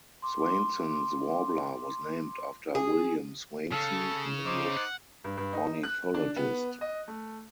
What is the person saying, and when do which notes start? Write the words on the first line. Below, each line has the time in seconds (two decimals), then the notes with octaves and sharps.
Swainson's warbler was named after William Swainson, an English ornithologist.
0.22 C6 D6
2.75 G#4
3.72 C#3 A4
4.46 D#4 C5 D6
4.77 F#5
5.24 G2
5.37 G2
5.53 D#4
5.83 F#6
6.14 D4
6.36 B3
6.81 D#5
7.08 A3